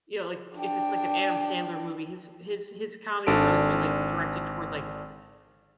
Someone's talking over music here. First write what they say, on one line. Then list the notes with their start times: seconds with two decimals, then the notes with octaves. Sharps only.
you know, like, if it's, like, an Adam Sandler movie, his his his comedy's always been, like, directed toward, like
0.58 D4 G5
3.27 G#1 D4 A4 D7